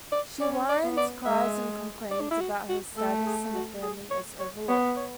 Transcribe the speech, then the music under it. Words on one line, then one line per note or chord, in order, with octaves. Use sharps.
She whines, cries and complains about her status in the family as overlooked.
D5
C#4 D5
D5
B3
D5
G#3 E5
D5
D4
E4
F#4
F#4
A3 A4
G#4
F#4
G#4
C#5
C#5
B3 C#5
C#5